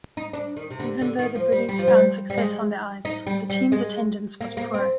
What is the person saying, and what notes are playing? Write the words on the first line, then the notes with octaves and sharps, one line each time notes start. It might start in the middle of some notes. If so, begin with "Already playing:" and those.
Even though the Bullies found success on the ice, the team's attendance was poor.
D#4
D4
D#3
C3
D3
D3
D#3
F3
G3
G3
F3
G3
G3
G#3
D#4
G3
G3
G#3
A#3
A#3
C4